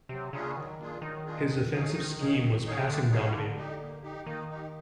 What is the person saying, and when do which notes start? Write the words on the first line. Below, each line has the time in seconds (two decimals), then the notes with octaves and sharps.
His offensive scheme was passing-dominated.
0.09 C3 F#3
0.33 C#3 A#3 D4 F4 G#4
0.56 D#3 F#3
0.79 A#3 D4 F4 G#4
1.02 D#3 F#3
1.25 A#3 D4 F4 G#4
1.49 C4
1.72 D#4 G#4 C#5 F5
1.94 D#3 C4
2.18 D#4 G#4 C#5 F5
2.41 C4
2.64 D#4 G#4 C#5 F5
2.78 C#3
2.87 D3 C4
3.10 D#4 G#4 C#5 F5
3.18 C#3
3.34 D3 A#3
3.56 D#4 G4
3.80 A#3
4.03 D#4 G4
4.25 D#3 A#3
4.49 D#4 G4